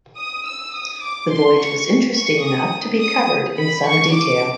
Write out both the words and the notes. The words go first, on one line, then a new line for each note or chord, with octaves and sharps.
The voyage was interesting enough to be covered in some detail.
D#6
E6
D#6
D6
C6
C#6
C#6
D#6
D#6
B5
C#6
D6